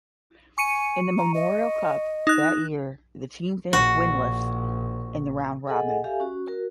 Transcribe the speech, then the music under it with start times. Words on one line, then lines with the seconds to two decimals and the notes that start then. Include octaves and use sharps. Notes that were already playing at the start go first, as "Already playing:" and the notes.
In the Memorial Cup that year, the team finished winless in the round-robin.
0.58 G#5 C#6 C#7 D#7
1.18 A#5
1.34 D#5
2.27 D#4 F#6
3.73 A#1 F#4
5.67 G#4 A4 D#5 F#5 G#5
6.04 G4 A4 E5 F5 G#5
6.20 C#4 F#4
6.47 F#4 A#4